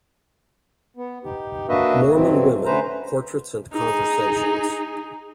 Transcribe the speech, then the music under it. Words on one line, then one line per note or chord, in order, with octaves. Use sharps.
Mormon Women: Portraits and Conversations.
B3
D#4 G4
A#3 D4 F#4 B4 D#5 E5
G2 B2 E3 F#3 C4
D3 A3 C#4 B4 C5 A#5
D#4 G#4